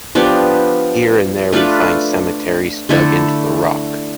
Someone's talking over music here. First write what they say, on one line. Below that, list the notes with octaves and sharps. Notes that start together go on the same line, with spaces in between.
Here and there we find cemeteries dug into the rock.
F3 B3 D4 G4
A3 D4 F4 B4
D3 A3 E4 A4